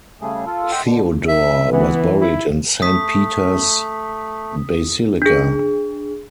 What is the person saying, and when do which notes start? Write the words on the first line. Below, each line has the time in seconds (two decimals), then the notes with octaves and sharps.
Theodore was buried in Saint Peter's Basilica.
0.21 C#3 G3 A3 G#4
0.46 F4 A4
0.72 D#5 E5 F#5 G5 C6 D#6
0.84 B2 D3
1.28 E5
1.72 E3 B3
2.21 E4
2.82 A3 D#6 B6
5.22 D4 G#4